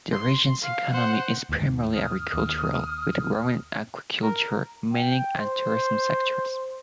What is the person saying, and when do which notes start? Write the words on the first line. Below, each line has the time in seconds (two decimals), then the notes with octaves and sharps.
The region's economy is primarily agricultural, with growing aquaculture, mining and tourism sectors.
0.12 C6
0.62 F5
0.93 C5 F#5
1.49 D#2 G#2
1.92 D#6 F6
2.34 D#2
4.22 A#4
4.93 G5
5.37 C5